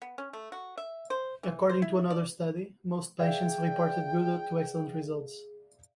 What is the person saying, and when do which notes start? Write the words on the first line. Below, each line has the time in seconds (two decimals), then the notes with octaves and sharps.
According to another study, most patients reported good to excellent results.
0.02 B3
0.18 C#4
0.33 A3
0.52 F#4
0.78 E5
1.10 C5
1.43 E3
1.69 C5
1.82 E4
2.10 D5
3.19 G#4 D5 E5 F5 G5